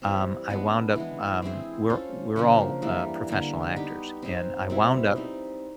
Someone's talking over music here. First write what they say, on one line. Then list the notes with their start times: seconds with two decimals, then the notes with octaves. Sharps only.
um, I wound up, um, we're we're all, uh, professional actors, and I wound up
0.02 E3 G3 C4
0.49 G#3 B3 D4
0.96 E3 G#3 B3
1.42 C4 E4 G#4 C5
1.89 C#4 F4 A4 C5
2.36 C#3 F3 A#3 D4
2.82 E3 G3 A#3
3.29 D3 G3 A#3
3.76 B3 D#4 G4
4.22 C4 D#4 G#4
4.70 B2 G3 C4 E4
5.16 G3 C4 D#4